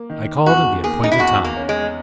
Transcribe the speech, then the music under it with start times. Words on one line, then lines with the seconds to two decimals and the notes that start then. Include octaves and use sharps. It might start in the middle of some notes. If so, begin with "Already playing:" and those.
I called at the appointed time.
Already playing: A#3
0.10 D#3
0.46 E2 F#4
0.84 A#3 G#4
1.03 D#4
1.11 E4
1.20 E2 F#4
1.44 A#3
1.57 C#4
1.69 G#3